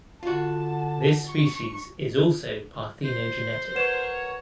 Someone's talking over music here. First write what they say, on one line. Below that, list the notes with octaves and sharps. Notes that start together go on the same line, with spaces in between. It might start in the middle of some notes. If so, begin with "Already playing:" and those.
This species is also parthenogenetic.
D3 F4 F#4 A5
C#6
C5
F#4 A#4 B4 C#5 E7